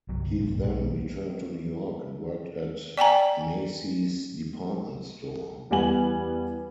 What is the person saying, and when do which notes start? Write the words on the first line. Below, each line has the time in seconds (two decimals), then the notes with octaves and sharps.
He then returned to New York and worked at Macy's Department Store.
0.09 G1 C2 F#3
0.40 A1 D2 G2 B2
0.62 B1
2.97 D5 G5 G#5 A#5
5.70 E2 G3 B3 G#5 F#7